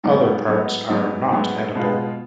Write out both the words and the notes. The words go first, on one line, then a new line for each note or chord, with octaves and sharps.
Other parts are not edible.
G#2 F#3 B3 D#4
G#2 F#3 B3 D#4
G#2 F#3 B3 D#4
G#2 F#3 B3 D#4
B2 G#3 B3 F4